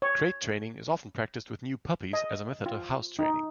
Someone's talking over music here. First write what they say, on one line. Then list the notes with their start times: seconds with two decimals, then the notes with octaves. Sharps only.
Crate training is often practiced with new puppies as a method of house-training.
0.02 C#5
2.13 D#5
2.66 F4
3.19 D#4